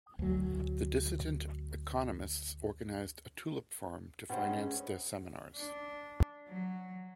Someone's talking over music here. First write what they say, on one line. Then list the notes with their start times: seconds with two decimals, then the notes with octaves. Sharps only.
The dissident economists organized a tulip farm to finance their seminars.
0.19 D2 F#3
4.30 G2 B3 C5
4.48 G#3 C#4
5.54 D4
6.48 F#3